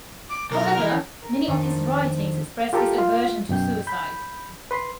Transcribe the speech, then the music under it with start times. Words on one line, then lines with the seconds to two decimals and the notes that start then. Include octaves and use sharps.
However, many of his writings express his aversion to suicide.
0.29 D6
0.51 B1 A#4
0.79 E3
1.22 A#4
1.47 F2 D#3 D4 A4 C5 D#7
2.73 F4 G4 A4 A#4
2.98 F4
3.49 F#2 B2 G5 G6
3.87 B5 G6
4.71 B4 C6